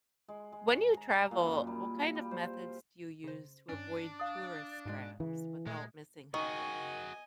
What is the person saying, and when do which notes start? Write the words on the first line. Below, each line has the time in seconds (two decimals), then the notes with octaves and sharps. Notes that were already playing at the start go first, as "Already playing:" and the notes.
When you travel, what kind of methods do you use to avoid tourist traps without missing highlights?
0.28 G#3
0.52 G#3
0.97 A#5
1.31 A#2
1.46 F#2
1.67 G3
2.15 G3
2.31 C5
3.24 C#3 C5
3.69 G2 C#4 D4
4.20 F5 D#6
4.85 G#2 B2 G#3
5.20 C#3 E3
5.66 A#2 G#3 A3
6.34 D#3 F#4 G#4 D#5 G#5 C#6